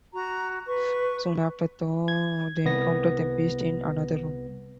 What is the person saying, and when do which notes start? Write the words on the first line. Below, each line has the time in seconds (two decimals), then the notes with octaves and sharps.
Soon after though, they encounter the Beast in another room.
0.14 F#4 A#5
0.67 B4 C#6
2.08 G#6
2.65 C2 B3 A#6